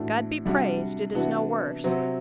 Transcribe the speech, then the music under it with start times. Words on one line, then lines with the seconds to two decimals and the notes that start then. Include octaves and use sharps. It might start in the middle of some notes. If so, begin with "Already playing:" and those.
'God be praised it is no worse!
Already playing: A2 E3 A3 D4 F#4
0.45 C3 G3 D4 F#4
1.15 C3 E3 B3 D4 F#4
1.84 C3 F#3 C4 F#4